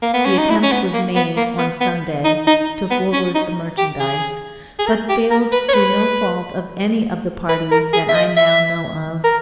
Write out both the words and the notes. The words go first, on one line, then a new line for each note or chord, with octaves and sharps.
The attempt was made on Sunday to forward the merchandize, but failed through no fault of any of the parties that I now know of.
A#3
B3
C#4
D#4
E4
C#4
B3
A#3
B3
A#3
B3
B3
D#4
D#4
B3
C#4
D#4
G4
G#4
G#4
A#4
G4
A#4
B4
C#5
B4
B4
A#4
G#4
E5
D#5
E5
A#4